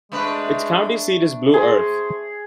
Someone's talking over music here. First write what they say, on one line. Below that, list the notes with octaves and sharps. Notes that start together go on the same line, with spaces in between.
Its county seat is Blue Earth.
G#3 A3 D4 B4
G#4 C5